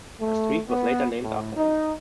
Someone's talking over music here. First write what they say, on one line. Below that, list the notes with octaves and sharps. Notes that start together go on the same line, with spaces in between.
A street was later named after him.
A3
B3
A2
D#4